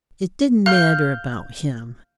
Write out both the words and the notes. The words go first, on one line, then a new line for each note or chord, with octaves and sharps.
It didn't matter about him.
F5 F6 G6